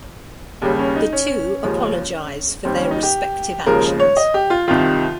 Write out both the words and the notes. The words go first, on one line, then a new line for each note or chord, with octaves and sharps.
The two apologize for their respective actions.
D#2 C#3 G3
C#4
D#4
C#4
D#2 C#3 F3 G#3
D#2 D#3 G3 C4
C#4
D#4
G4
D#2 C#3 F3 G#3 A#4
C#5
D#5
G4
F4
C2 C3 D#3 F4